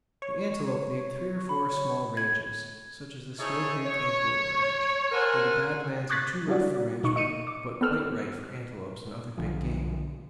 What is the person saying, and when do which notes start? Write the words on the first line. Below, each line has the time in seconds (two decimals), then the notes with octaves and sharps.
The antelope need three or four small ranges, such as the Snow Creek Antelope Range, where the bad lands are too rough for ranchmen, but quite right for antelopes and other big game.
0.22 C#5
1.49 B5
2.17 G#6
3.39 D#4 E4 G#4 A4 C5 C#5
3.85 C#5
5.12 A4 A#4 C5 F#5 G#5
6.09 C#6 D6 F#6 G#6 A6 B6
6.48 G3 D4 E4 F#4 D5
7.04 B2 D#4 C#6
7.16 D#5 C#7 D#7
7.47 D6
7.81 B3 C4 A4 E6 F6
9.38 B1 D3 F3